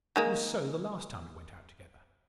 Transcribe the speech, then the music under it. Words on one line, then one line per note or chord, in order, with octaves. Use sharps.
It was so the last time we went out together.
D#3 G#3 A#3